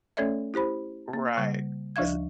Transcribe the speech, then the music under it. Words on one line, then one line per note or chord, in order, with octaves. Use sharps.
Right. 'Cause
A3 C#4 A4 C#5 D5 E5
E4 G4 C5 B5
A#3
C#3 G3
D2 F3 D4 E5 F5 G#6